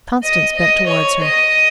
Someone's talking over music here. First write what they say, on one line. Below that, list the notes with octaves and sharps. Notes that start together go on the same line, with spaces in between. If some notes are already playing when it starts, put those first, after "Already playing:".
Constance bent towards her.
D#5
D#5
C#5
D#5